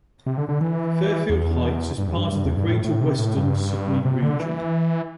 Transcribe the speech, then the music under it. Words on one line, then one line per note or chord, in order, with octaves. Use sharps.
Fairfield Heights is part of the Greater Western Sydney region.
C3
D3
D3
E3
E2
G2
E2
G2
G2
E2
G2
A2
A2
C3
A2
G2
C3
D3
E3